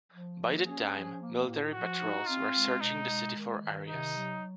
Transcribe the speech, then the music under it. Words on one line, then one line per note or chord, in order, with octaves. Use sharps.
By that time, military patrols were searching the city for Arias.
F3
A#3
C#4 G#4
F3
A#3
A2
F3 F#4
D#4
C4 F4
G#3
B2 D#4
G#3
D#3
D#3
C3 D#4
F#3